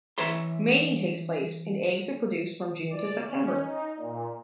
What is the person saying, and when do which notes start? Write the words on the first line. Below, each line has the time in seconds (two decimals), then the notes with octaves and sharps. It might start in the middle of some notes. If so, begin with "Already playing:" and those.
Mating takes place, and eggs are produced from June to September.
0.18 E3 B4 C#5 E5 C6
2.90 D5
3.23 C#4
3.63 D#4
3.97 A#2